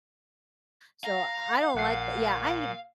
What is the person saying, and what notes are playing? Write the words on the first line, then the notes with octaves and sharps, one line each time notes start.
So I don't like tha yeah, I
F5 A#5
A#1 A#2 F#5 C7